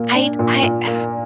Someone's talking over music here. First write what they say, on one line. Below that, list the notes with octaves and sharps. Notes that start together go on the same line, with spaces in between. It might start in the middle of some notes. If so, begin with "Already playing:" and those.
I I Ugh.
Already playing: A#2 A#3
D4
A#2
A#2
A#3